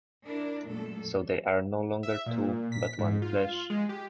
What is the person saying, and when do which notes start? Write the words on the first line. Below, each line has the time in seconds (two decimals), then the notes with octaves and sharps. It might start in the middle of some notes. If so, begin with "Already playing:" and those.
So they are no longer two, but one flesh.
0.25 D4 E4 A#4
0.64 F#2 A#2 F#3 G#3 A3 A4
2.03 E5
2.26 A#2
2.72 B6
2.99 G#2
3.22 F4
3.70 G#3
3.89 G4